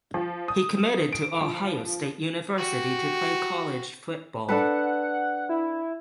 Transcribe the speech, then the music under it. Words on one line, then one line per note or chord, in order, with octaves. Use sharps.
He committed to Ohio State University to play college football.
F3
D#6
D7
F3
F#4 G4
D4 A4 B4 F#5
E4